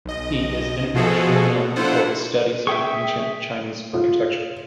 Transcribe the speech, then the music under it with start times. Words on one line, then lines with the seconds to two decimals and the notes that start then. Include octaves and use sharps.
He is internationally known for his studies on ancient Chinese architecture.
0.05 B1 D#5
0.94 B2 F3 F#4 G#4 A4
1.50 B2
1.76 D4 E4 F4 A4 C5 F#5
2.67 G#4 E5 G5 C#6
3.94 F4